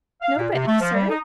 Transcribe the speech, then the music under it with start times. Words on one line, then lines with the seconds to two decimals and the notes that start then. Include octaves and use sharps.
"Nobody, sir."
0.22 F5
0.37 A#2
0.53 C3
0.67 A3
0.81 F3
0.94 G3
1.10 D#4